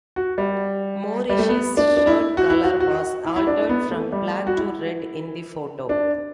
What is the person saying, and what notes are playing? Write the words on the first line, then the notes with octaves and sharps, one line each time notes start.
Morrissey's shirt colour was altered from black to red in the photo.
F#4
G3
G3
A3
B3
D4
D4
E4
F#4
E4
F#4
F#4
E4
E4
D4
B3
A3
G3
F#4
E4
D4